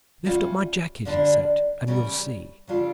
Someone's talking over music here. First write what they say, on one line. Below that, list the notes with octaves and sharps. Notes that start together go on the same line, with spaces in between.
"Lift up my jacket," he said, "and you'll see."
A2 G3 C#4 F4
D3 G3 A#3 D4
C#3 G3 C#4 G4 A#4
C#3 G3 D4 F4 A4